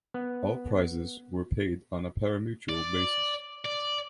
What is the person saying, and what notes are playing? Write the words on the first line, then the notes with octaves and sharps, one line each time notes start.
All prizes were paid on a parimutuel basis.
B3
D5
D5